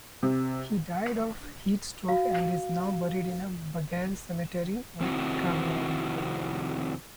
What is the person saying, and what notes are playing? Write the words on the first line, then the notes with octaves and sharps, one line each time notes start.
He died of heat-stroke and is now buried in Bagail Cemetery in Kavieng.
C3
F#4 F5
F2 C3 D#3 C4 E4 F#4